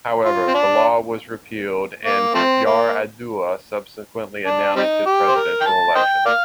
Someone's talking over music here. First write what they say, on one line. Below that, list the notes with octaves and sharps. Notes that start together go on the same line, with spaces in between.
However, the law was repealed and Yar'Adua subsequently announced his presidential election.
F4
C4
D4
A#3
F3 A3 C4
A#3
D4
G3 C4 D#4
G4
C5
A#4
G5
A5
C5 D#5 G5
A#4 D5 F5